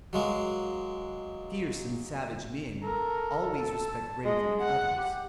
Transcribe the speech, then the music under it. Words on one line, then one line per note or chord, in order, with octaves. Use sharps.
Fierce and savage men always respect bravery in others.
F#3 G#3 A#3
A4 A#4
A5
G#3 D#5
F#5
G4